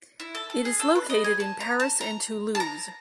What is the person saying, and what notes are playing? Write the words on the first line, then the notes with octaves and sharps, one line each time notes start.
It is located in Paris and Toulouse.
E4
A4
A4
G#4
A4
B4
D#5
G#5
A5
A#5
A5
A#5
A5
A#5